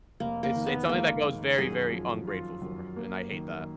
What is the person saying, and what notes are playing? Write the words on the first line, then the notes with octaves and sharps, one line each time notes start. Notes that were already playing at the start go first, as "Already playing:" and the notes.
It's it's something that goes very, very ungrateful for, and I hate that.
F1 A#3
A#3
D#3
B3
G#3 A#3 B3
D#3
F#2 G#4
F3
F4
F#2
A#3
D#3